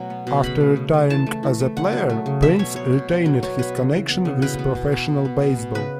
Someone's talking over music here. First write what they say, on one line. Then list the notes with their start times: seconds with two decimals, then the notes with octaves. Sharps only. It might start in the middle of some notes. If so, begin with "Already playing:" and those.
After retiring as a player, Prince retained his connection with professional baseball.
Already playing: B2 F#3 A3
0.10 B3
0.27 B2
0.44 C#3 B5
0.61 A3
0.77 C#3
0.94 A3
1.10 E3 A5
1.26 A3
1.43 E3
1.60 A3
1.77 C#3 F#5
1.93 F#3
2.10 A3
2.26 C#3
2.42 B2 E5
2.59 F#3 C#5
2.76 B3 C#5
2.93 B2
3.09 B2
3.26 F#3
3.43 B3 C#5
3.59 B2 B4
3.76 C#3
3.92 E3
4.09 B3
4.25 C#3
4.42 B2 B4
4.59 B3
4.75 B2
4.92 B3
5.08 B2
5.25 B3
5.42 B2
5.59 B3
5.75 C#3 B4